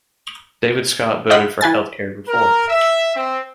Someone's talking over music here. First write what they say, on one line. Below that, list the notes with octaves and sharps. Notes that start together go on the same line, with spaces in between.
David Scott voted for healthcare reform.
F4 G4 D#5 F#5 B5 C6
E3 B4 G#5 A6
A#4
E5
C4